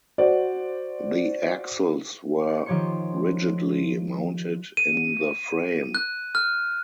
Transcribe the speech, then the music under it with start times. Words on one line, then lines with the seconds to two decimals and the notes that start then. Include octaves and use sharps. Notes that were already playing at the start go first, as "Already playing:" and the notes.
The axles were rigidly mounted in the frame.
0.18 F#4 C5 D5
2.66 D#3 F3 G4 C#5 C6 C#7
4.77 D#7
5.95 F#6
6.35 F6